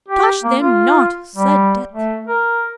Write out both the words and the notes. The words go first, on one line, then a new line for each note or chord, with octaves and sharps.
"Touch them not!" said Death.
G4
A#3
F4
G3
A3
A#4